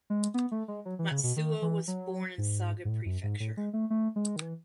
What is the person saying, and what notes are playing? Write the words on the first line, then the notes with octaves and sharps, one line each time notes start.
Matsuo was born in Saga Prefecture.
G#3
B3
A3
G#3
F#3
E3
C#3
B2
D#3
E3
F#3
G#2
G#2
A2
F#2
G#2
A2
G#3
A3
A3
G#3
D#3
E3